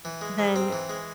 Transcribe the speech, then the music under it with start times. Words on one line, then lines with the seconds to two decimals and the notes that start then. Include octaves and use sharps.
then it
0.05 E3
0.21 G#3
0.39 G#2
0.56 C4
0.72 E3
0.89 G#3